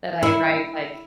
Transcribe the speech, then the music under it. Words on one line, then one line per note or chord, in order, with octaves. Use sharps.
that I write, like,
E4